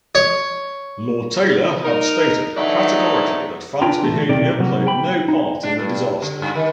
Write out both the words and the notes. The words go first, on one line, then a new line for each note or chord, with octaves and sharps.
Lord Taylor had stated categorically that fans' behaviour played no part in the disaster.
C#5
D#4 A#4
E3 F#3 A3 D4 D#4
D4 F4 G#4 B4 G5 A#5
E2 A3
B1 C3 D#3 D5
C3 F#3 A#3
G5 B5
D#4
D4
G2
D3
G2
D#3